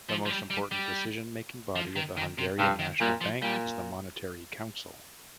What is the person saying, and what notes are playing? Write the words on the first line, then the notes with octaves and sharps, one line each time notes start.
The most important decision-making body of the Hungarian National Bank is the Monetary Council.
F3
F3
G3
G3
G3
F3
D#3
D#3
C3
G2 C3
D#3
A#2 G3
F3
A#2 G3